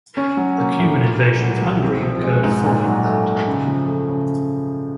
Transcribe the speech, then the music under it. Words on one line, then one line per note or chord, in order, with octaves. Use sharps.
The Cuman invasion of Hungary occurred following that.
C#4
F#3
A#3
A2
A#3
A#2
F#3
C2
C4
F3
G#3
G#2
A#2
F#3
A3
A#2
C#3
F3
A3
C#3